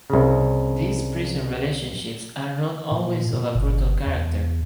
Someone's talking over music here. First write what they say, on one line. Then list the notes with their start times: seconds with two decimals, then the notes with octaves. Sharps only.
These prison relationships are not always of a brutal character.
0.10 C2 C#3
2.91 A#2
3.33 A#2
3.55 G1
4.06 E2